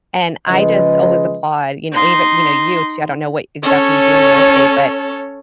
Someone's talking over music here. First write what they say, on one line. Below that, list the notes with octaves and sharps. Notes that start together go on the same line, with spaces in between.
And I just always applaud, you know, even you know, you t I don't know what exactly you do in real estate, but
C#3 F3 G#3 B4 D#5
D#4 C6
C#4 A4 C#5